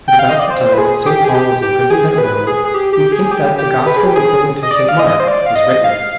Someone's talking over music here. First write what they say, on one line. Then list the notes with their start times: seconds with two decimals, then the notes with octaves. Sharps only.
But about the time that St. Paul was imprisoned at Rome we think that the Gospel according to St. Mark was written.
0.08 G5
0.19 F5
0.29 D#5
0.39 D5
0.50 C5
0.73 B4
0.78 G#4
1.06 G4
1.24 G#4
1.35 G4
1.62 G4
1.81 G4
1.90 G#4
2.18 B4
2.47 G#4
2.65 G#4
2.74 G4
2.93 G4
3.12 G#4
3.31 G4
3.58 G4
3.86 B4
3.97 G#4
4.06 G4
4.16 G#4
4.63 D#5
4.71 D5
4.89 F5
4.99 D#5
5.20 C5
5.28 D5
5.46 F5
5.55 D#5
5.84 F5